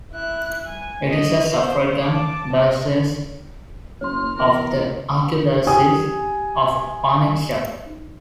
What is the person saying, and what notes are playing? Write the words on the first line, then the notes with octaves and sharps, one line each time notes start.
It is a suffragan diocese of the Archdiocese of Onitsha.
E4 F#6
G#5
D#5
C5
A5 D6
D#5
F#1 C#5 C6 F6
E2 A#4
G4 G#5 D#6